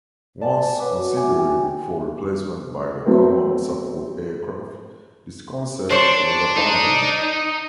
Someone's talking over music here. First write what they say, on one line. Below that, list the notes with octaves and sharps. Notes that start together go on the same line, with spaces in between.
Once considered for replacement by the "Common Support Aircraft", this concept was abandoned.
D5 G#5 A5
B4 C#5 F#5 D6
F#4
E5 G#5 D6
G5 G#5
F#3 A3 B3 C4
D4 C5 C#5
D#4